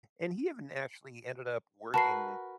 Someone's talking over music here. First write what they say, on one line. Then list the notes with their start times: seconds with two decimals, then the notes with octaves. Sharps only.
and he even actually ended up working
1.94 F#4 A#4 B4 A5 C7